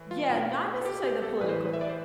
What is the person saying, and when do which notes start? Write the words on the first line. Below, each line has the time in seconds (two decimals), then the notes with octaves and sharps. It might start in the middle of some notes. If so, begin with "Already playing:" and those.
Yeah, not necessarily the political.
Already playing: A2 E3
0.11 F4
0.30 B2 F4
0.46 F4
0.81 A4
0.85 G4
1.04 G4
1.22 A4
1.41 A2 E3 B4
1.49 C5
1.56 B4
1.73 E5
1.81 D5
1.89 C5